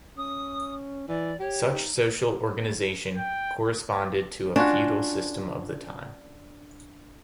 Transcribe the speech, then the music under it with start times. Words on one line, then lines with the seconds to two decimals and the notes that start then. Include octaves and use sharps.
Such social organization corresponded to a feudal system of the time.
0.17 C#4 D#6
1.08 E3 D5
1.40 G4 C#5
1.68 D#4
3.18 G5
4.56 C#4 D4 F4 F#4